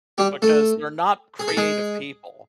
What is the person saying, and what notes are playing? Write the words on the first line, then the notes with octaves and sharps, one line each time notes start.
Because they're not creative people.
G3 G4
A3 A4
G#4
A4
G#3 G#4